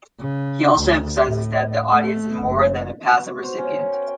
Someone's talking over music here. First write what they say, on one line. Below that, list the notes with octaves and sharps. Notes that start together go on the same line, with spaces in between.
He also emphasizes that the audience is more than a passive recipient.
C#3
D2
A2
A3
F#1
B2
F#4
C5
C#4
A#4
G5